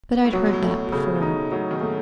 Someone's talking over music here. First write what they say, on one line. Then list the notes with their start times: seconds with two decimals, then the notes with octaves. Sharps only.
But I'd heard that before.
0.25 A2
0.33 B2 F#3
0.53 A2
0.63 A3
0.73 B2
0.86 B2
0.92 A2 C#3
1.15 A2
1.22 B2 D#4
1.51 A2 C#3 F#3
1.71 B2 D#3
1.81 A3